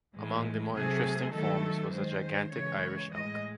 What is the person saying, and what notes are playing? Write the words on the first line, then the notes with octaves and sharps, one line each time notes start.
Among the more interesting forms was the gigantic Irish elk.
A2 E3 G#3
C3 F#3 A3 G#4
D#3 F#3 A3 A4
D#3 G#3 C5
C#3 E3 G#3 C#5
A2 G#3 D#5